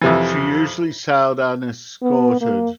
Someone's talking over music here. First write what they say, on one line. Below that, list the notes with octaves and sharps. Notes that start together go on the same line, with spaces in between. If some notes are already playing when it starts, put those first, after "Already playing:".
She usually sailed unescorted.
F2 C3 E3
B3
A#3